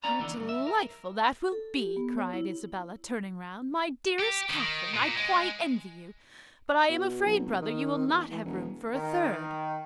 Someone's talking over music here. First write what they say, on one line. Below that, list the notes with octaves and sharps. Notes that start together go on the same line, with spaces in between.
"How delightful that will be!" cried Isabella, turning round; "my dearest Catherine, I quite envy you; but I am afraid, brother, you will not have room for a third."
B3 C#4 D5 A#5
D#2 D3 E3
E2 G2
E5
A#4
A4
G4
B3
C#5
E4
G4
D#3
A#2
G#3
B2
B1
F1
D#3
E2
E3
E1
D#3